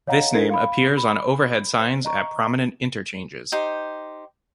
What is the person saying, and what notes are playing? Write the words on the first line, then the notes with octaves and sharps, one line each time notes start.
This name appears on overhead signs at prominent interchanges.
C#5 D#5 F5 F#5 A#5
D4 E4 A4 A#4 G#6 C7
F5 B5
B5
C5
D#5 A#5 C#6
D#4 G4 C5